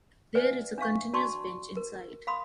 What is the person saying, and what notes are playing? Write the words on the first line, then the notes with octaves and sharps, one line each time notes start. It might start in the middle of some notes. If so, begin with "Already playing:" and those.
There is a continuous bench inside.
B4 D5 E5 F#5 G#5
D4 E5 F5 C#6
D4 F#4 D5 A5 C6 C#6
A#4
F5 B5 C6 D#6